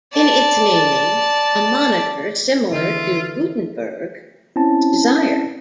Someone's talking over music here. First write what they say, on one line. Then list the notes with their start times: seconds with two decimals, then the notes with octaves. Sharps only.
In its naming, a moniker similar to "Gutenberg" was desired.
0.13 D5 A5
2.72 D3 E3 F4 E5
4.56 C4 C#4 E4 A5